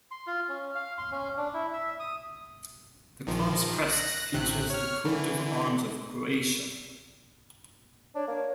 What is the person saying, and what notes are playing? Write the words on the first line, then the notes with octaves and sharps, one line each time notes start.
The club's crest features the Coat of Arms of Croatia.
C6
F4
C#4
F5
C6
C#4
D4
E4
E5
D#6
A#1 D#3 F3
F#6 A#6
A1 C3 F#6
C#5 F6
D3 E3
D4 C#5
A#3 C#5